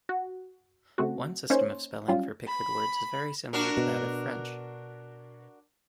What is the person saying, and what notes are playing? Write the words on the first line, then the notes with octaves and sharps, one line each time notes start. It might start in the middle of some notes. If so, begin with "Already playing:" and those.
One system of spelling for Picard words is very similar to that of French.
F#4
C#3 A3 C4 F#4
A#3 C#4 D#4 C5 C#5
F#3 G3 C#4 F4
B5
D4 F#4 A#4
B2